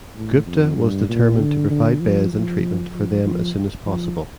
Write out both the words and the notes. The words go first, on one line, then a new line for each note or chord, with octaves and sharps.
Gupta was determined to provide beds and treatment for them as soon as possible.
A2
F2
G2
A#2
D3
D3
F3
F3
F3
F3
F3